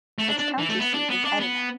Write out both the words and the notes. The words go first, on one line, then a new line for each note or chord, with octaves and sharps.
Its county seat is Edina.
A3
D4
D4
E3
A3
B3
D4
B3
D4
B3